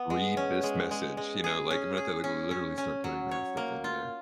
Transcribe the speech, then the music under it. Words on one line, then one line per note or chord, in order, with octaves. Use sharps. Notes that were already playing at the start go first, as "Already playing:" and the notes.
"Read this message," you know, like, I'm gonna have to, like, literally start putting that stuff in there.
Already playing: B3
G#3
C#4
G#3
G#3
G#3
G#4
C#4
G#4
C#4
C#4
C#4
F#3
C#5
A#3
F4